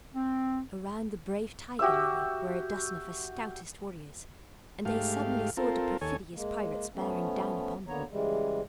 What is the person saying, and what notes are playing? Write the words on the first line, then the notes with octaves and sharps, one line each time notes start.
Around the brave Tiger Lily were a dozen of her stoutest warriors, and they suddenly saw the perfidious pirates bearing down upon them.
C4
F#4 G4 E5 E6
G#2 A3 G4 F5
C4 F4 A4 A#4
D#2 A4 C#5 G#5
G#3 A#3
F3 A3 B3 C#4
D2 D3 A#3 B3 C#5 A#5
C#3 E3 G3 G#3